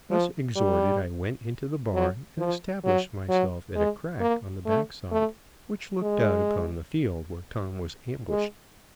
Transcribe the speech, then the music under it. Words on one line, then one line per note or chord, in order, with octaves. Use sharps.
Thus exhorted, I went into the barn and established myself at a crack on the back side, which looked out upon the field where Tom was ambushed.
F3
G3
F#3
F3
F#3
F#3
G#3
A#3
A3
A3
G#3
G#3